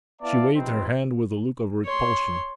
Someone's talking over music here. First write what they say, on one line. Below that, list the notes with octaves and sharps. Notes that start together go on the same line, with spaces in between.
She waved her hand with a look of repulsion.
B3 E4 D5 E5 F5 A5
C3 F3 C4 D#4 B4 C5
C#5 C6